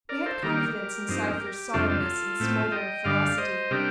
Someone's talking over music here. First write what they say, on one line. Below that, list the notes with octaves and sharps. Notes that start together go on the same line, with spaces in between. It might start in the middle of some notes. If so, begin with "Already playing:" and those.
We had confidence in Cypher's sullenness and smouldering ferocity.
A#4 D5
A4 C5
D#3 G3 A#3 G4 A#4
G2 F3 C4 D#4
G4
F2 C3 G3 D4 F4 A4
F4 A4
A2 A3 C4
D#5 G5
G2 D3 G3 D5 F5
C5 D#5
C3 G3 D4 G4 A#4